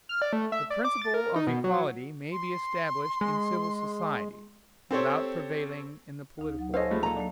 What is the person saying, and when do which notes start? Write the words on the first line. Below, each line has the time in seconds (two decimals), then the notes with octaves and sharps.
The principle of equality may be established in civil society, without prevailing in the political world.
0.09 F6
0.22 D5
0.33 A3
0.52 E5
0.70 D5
0.85 D6
1.02 A6
1.14 A#4
1.36 D#4
1.47 B2
1.64 F#3
2.32 C6
3.21 G#3
4.91 C4 G4 A4 C5 C#5
6.39 D2 D#4
6.59 F#3 F#5
6.74 A4 C5 C#5 D#5 F5 G#5 C#6 E6
6.91 F3 G#3 A3 B5
7.03 A#2 A4 D#5 F5 A#5
7.16 F#3 A#3 D4